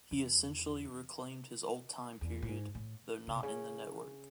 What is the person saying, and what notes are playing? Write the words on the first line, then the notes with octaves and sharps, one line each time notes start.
He essentially reclaimed his old time period, though not in the network.
E2
E2
A2
G#2
A2
C#3
B2
C#3